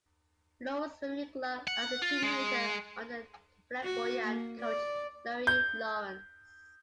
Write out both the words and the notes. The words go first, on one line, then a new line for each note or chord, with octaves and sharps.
Lawrence Swimming Club as a teenager under flamboyant coach Laurie Lawrence.
F#5
F4
G#3
F#4
A#3
D5
G6